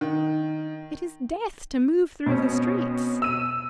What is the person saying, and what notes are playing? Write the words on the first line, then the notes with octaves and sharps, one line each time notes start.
It is death to move through the streets!'
D#3
B2 C4 C#4
E6 D#7